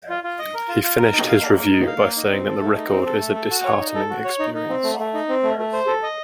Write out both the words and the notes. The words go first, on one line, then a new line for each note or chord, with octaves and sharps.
He finished his review by saying that the record is a disheartening experience.
F4
F4
D#5
A#4
F4
F4
A#4
D#4
F5
A#3
A#4
D#4
F5
A#3
D#4
C4
A4
A3
D#4
C4
A4
A3
A4
F#4
C#5
D#4
A4
F#4
C#5
D#4
D#4
C4
A3
A3
D#4
C4
A3
A3
C5
A4
D#5